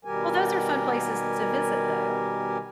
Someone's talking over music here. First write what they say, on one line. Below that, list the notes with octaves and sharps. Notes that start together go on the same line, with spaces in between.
Well, those are fun places to visit, though.
B2 D#3 G3 G4 A#4 G#5